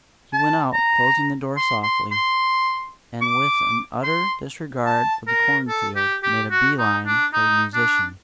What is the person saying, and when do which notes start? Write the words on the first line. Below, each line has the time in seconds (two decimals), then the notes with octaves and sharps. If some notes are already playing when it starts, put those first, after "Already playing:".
He went out, closing the door softly, and with an utter disregard for the corn field, made a bee line for the musician.
0.33 A5
0.74 A#5
1.57 C6
1.83 C6
2.12 C6
3.22 D6
4.04 C6
4.86 A5
5.28 A#4
5.68 A4
5.96 G4
6.23 G4
6.51 F#4
6.78 D#4
7.06 D4
7.33 D#4
7.74 D4